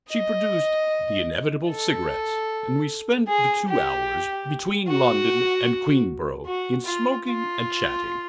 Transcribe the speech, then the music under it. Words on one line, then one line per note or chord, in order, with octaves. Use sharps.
She produced the inevitable cigarettes, and we spent the two hours between London and Queenborough in smoking and chatting.
D#5
A4
G#4
G4
F#4
F#4
F4
F4